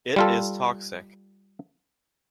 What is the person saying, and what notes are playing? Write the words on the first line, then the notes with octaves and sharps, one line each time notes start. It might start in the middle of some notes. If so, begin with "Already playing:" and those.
It is toxic.
G3 F4 A4